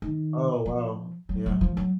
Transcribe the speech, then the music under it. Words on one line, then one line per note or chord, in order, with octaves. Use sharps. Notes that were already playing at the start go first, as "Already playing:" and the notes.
Oh, wow, yeah.
D#3
F3
F#3
F#3
F3
F#3